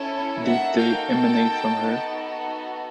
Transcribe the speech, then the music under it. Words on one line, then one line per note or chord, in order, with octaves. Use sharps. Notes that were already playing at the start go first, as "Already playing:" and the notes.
Did they emanate from her?
Already playing: C#4 E4 A4
A#3 D#4 F#4 A4 E5 F#5
F5 G5
G5 A5
B3 D#4 F#4 A4